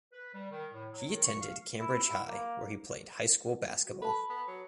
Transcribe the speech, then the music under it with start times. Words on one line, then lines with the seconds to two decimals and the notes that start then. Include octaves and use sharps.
He attended Cambridge High where he played high school basketball.
0.12 B4
0.34 G3
0.50 D#3
0.73 A2
0.92 F#3
1.08 D#3
1.24 C#6
1.41 F5
1.80 E4
2.03 E4
2.27 A#3
3.86 F#4
4.02 A4 B4 A5 B5
4.30 B3
4.47 F#3